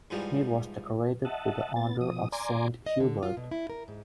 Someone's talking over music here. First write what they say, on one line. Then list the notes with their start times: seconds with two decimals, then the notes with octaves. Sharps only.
He was decorated with the Order of Saint Hubert.
0.10 G#2 E3 F3 G3
1.25 D#5 E5 F#5 A5
1.76 B3 A6
2.01 B2 F3 D#6
2.32 D5 G#5 A#5 C6 D6
2.86 D#5
3.00 D3
3.23 F4
3.37 B2
3.51 E4
3.70 A#4
3.88 G#2